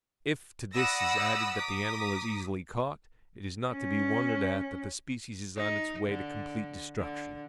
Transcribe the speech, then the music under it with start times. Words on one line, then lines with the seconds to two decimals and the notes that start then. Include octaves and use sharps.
If to this is added that the animal is easily caught, it is not to be wondered at that the species is on its way to complete destruction.
0.74 D5 F#5 B5 D#6 E6 A#6
1.55 A#5 D6 D#6 B6
3.72 C#4
5.56 D#4
6.08 D3
6.98 D3